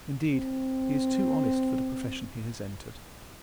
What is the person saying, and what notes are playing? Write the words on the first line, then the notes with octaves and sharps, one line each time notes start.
Indeed, he is too honest for the profession he has entered.
C4